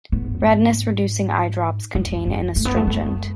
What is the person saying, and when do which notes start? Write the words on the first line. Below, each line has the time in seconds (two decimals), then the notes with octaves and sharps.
Redness-reducing eye drops contain an astringent.
0.12 A2 B3
0.24 G#2
0.34 F#2
0.45 G#2
1.95 F#2 B3
2.05 E2
2.16 F#2
2.27 C#4
2.56 A3
2.65 B3
2.76 A3
2.87 G#3